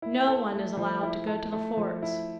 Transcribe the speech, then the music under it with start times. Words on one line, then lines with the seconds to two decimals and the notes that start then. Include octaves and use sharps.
No one is allowed to go to the forts.
0.02 E4
0.27 A4
0.52 A3
0.77 F3
1.03 E4
1.27 A4
1.53 A3
1.77 F3
2.03 E4